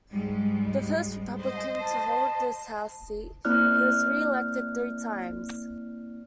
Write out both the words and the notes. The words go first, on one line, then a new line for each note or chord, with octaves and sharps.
The first Republican to hold this House seat, he was re-elected three times.
G#2 G3 G#3
C5 D#5
A5
A#3 C4 E4 D5 F6 F#6